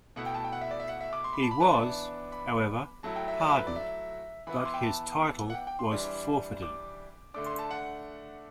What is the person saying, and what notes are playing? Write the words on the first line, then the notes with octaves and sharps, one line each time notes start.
He was, however, pardoned, but his title was forfeited.
B2 A3 E4 F#5
G5
A5
G5
F#5
E5
D5
E5
F#5
E5
D6
C6
B5
A5
B5
E3 B3 D4 A5
B5
F#3 A3 E4 A5
G5
E5
D5
E5
B4
D5
E5
E3 B3 E4 B5
D6
C6
G5
A5
F#5
G5
G5
C6
E3 G3 D4
D6
D3 A3 D4 D6
C6
A5
F#5